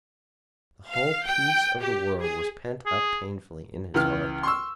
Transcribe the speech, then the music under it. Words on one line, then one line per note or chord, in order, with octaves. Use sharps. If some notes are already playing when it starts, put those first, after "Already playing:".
The whole peace of the world was pent up painfully in his heart.
F5
G5
G4
G#4
G#4
C#2 E3 F6
C6 C#6 E6